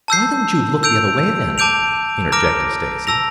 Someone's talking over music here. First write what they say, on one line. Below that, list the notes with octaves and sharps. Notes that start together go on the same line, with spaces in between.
"Why don't you look the other way then?" interjected Stacy.
A5 E6 G6 C7
E6 G6 D7 F7
A5 D6 G6 D7 F7
A#5 D6 F6 A#6 D7
A5 E6 A#6 F7